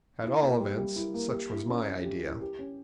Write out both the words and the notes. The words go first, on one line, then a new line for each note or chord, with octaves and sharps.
At all events, such was my idea.
E4
A#3
G3
G3
E4
A#3
G4
E4
C#4
C#4
G4
E4
G4
C#4